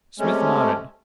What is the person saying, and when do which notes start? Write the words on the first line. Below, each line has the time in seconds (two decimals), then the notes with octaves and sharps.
Smith nodded.
0.19 C3 G#3 A3 C#4